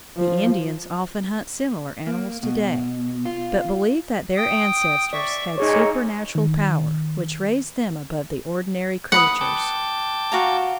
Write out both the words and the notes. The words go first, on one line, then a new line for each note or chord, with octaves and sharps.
The Indians often hunt similar animals to-day, but believe that their ancestors had supernatural power which raised them above the ordinary creatures.
F3
A#3
B2
F4
G5 D#6
D5 E5 C#6
D2 A#2 D#4 G#4 C#5
D#3
B4 F#5 B5 D#6
G5 A5 D6
F#4 F5 A#5